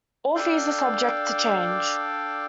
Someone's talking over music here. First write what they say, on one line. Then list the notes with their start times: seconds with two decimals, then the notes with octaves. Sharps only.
All fees are subject to change.
0.35 D4 A4 D5 F5 G5